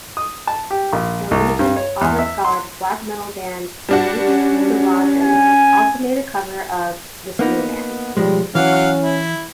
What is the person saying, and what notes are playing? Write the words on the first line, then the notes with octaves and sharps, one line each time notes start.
Norwegian avant-garde black metal band, Angst Skvadron, also made a cover of "The Snowman".
D#6
A5
G4
A#1
C2
G2
C#5
E2
E5
C6
G3 D4 F#4
C#4
G#5
A#3 B3 D#4
B1 F3 G3 G#3
E3 F#3 C#4 F5 F#5
E4